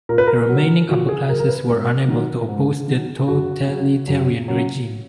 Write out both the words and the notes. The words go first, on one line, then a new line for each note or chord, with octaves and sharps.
The remaining upper classes were unable to oppose the totalitarian regime.
A#2 A#4
B4
A#4
F#3
A#2 F#4
G#4
F#3 A#4
A#4
B4
G#2 A#4
D#3 F#3
G#2
D#3 F#3
F#2 F#4
C#3 F#3
F#2
C#3 F#3